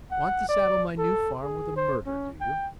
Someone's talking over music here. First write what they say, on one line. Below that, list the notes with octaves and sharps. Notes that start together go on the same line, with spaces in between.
Want to saddle my new farm with a murder, do you?
F#5
D5
A4
G#4
C5
C#4
G5